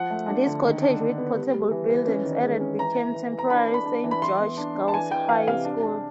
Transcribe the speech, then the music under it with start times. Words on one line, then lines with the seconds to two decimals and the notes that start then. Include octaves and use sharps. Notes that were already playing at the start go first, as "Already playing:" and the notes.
This cottage with portable buildings added became the temporary Saint George Girls High School.
Already playing: F3 F#5
0.10 A3
0.28 D4
0.46 D3
0.64 D#3
0.82 D4
1.00 D4
1.18 B3
1.36 G3
1.54 G3
1.71 E3
1.90 E3
2.07 C#4
2.25 D#3
2.43 G#3
2.61 C#4
2.79 E3 A#5
2.97 E3
3.15 E3
3.32 E3
3.39 A#5
3.50 D4 B5
3.68 D4
3.74 B5
3.86 D4
4.04 E3
4.11 B5
4.22 E3 C6
4.40 B3
4.57 D4
4.75 D4
4.88 A5
4.93 E3 G#5
5.11 E3 G5
5.29 E3 F5
5.47 C3 F5
5.65 D4
5.83 D4